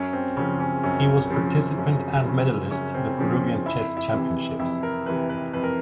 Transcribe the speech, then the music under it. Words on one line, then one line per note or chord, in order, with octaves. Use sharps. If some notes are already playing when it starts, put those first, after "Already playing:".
He was participant and medalist the Peruvian Chess Championships.
Already playing: F#2 C#4
C4
C#3 F3 C#4
C#4
F#2 C#4
C#3 F3
F#2 C#4
C#3 F3
F#2 C#4
C4
C#3 F3 C#4
F2 E4
E4
C3 E3
F2 E4
A#4
C3 E3 B4
B4
F2 B4
A#4